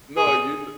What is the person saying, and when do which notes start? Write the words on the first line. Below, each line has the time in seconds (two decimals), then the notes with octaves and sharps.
No, you kno
0.17 G#4